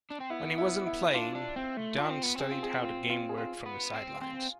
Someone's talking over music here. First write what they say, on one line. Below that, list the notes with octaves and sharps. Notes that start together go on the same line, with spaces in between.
When he wasn't playing, Dunn studied how the game worked from the sidelines.
D4
C4
B3 E4
E4
E4
D4 F4
D4
C4
A3
D4 F4
C4
B3
C4 G#4
F4
G#4
F4
F4
G#4
F4
B3
C4
C4